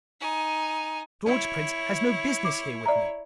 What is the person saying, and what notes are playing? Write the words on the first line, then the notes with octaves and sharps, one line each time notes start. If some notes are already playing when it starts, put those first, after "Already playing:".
George Prince has no business here with me!
D#4 G#5
E4 C#5
D6
D5 E5 A#5